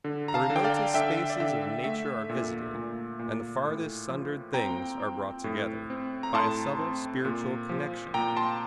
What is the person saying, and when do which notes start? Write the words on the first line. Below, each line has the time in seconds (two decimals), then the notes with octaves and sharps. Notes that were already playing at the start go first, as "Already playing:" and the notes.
The remotest spaces of nature are visited, and the farthest sundered things are brought together, by a subtle spiritual connection.
0.04 D3
0.28 A#5
0.34 F5 A5
0.50 D3
0.56 G5
0.64 D5 F5
0.94 D3 E5 G5
1.30 D5
1.40 D3 E5
1.84 A3 E5
2.29 A#2
2.75 A#2
3.19 A#2
3.65 A2
4.09 F3
4.54 C4 G5 A#5
5.00 C4
5.44 A2
5.90 C4
6.23 A#5
6.34 A2 A5 C6
6.79 C4
7.25 A#2
7.69 F3
8.14 A#2 G5 A#5
8.37 A5 C6